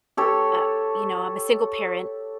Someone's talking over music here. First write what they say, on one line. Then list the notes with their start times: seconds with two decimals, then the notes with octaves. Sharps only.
uh you know, I'm a single parent
0.17 G4 A4 C#5